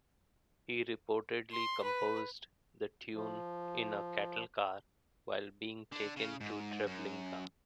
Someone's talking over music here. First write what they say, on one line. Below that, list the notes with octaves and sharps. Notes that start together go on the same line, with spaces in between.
He reportedly composed the tune in a cattle car while being taken to Treblinka.
C6
B4
F3
D3
C#3
G#2
F#2